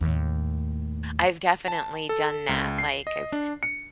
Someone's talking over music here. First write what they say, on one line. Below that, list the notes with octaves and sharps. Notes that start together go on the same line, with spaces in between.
I've definitely done that, like, I've
D#2 A2
A5
A4
C#2
C7
D#5
D4
C#7